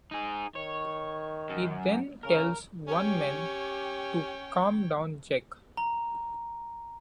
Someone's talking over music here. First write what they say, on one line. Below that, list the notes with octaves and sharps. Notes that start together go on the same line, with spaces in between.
He then tells one man to Calm down Jack!
D#4 G#4
D#3 C#5
F#2
C#3 A#4
C#4 G4 C#5 G5
A#5